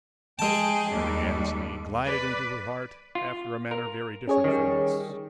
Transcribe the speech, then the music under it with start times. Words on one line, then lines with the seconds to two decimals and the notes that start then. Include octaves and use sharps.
Harry Annesley glided into her heart after a manner very different from this.
0.39 G#3 G#4 G5 A5
0.91 D#2 G3
2.05 B4 D5
3.15 F4
3.71 A#4
4.27 C#4 G#4 C#5
4.44 D#3 G3